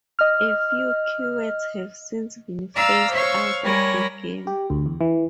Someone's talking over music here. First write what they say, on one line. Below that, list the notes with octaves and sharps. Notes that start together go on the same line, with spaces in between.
A few keywords have since been phased out of the game.
D#5 F6
D5 F5 A#5 E6 F6
C5 C#5 F5 C#6 E6
G3 A#4 C#5 G#5 B5 A#6
G4
D2
E2
E3